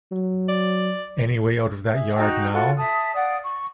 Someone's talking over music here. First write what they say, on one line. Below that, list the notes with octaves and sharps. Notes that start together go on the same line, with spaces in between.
Any way out of that yard, now?
F#3
D5
G#4 E5
D#4 F#4 D#5 G5
F4 F#4 A4 F#5
E5 A5 D#6
D5 F5 F#5 D#6
C#6